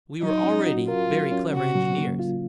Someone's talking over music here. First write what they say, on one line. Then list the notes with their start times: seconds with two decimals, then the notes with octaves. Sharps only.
We were already very clever engineers.
0.22 F#3 D#4
0.44 C#4
0.66 F#4
0.88 F4 A#4
1.09 F#3
1.32 C#4
1.53 C#3 F#4
1.75 F#3
1.98 A#3
2.19 F4